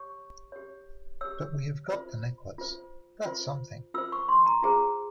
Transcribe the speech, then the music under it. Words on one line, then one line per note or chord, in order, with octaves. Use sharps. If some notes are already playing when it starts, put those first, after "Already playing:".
But we have got the necklace — that's something.
Already playing: G4 C#5 C#6
G4 C#5
G4 C#5 E6
F4 C5
F4 C5
F4 C5
F4 C5 E6
C#6
C6
A#5
F4 G#4 C5 A#5